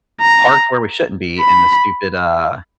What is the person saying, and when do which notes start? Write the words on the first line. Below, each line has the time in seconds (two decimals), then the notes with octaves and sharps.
parked where we shouldn't be in the stupid, uh,
0.21 A#5
1.40 B5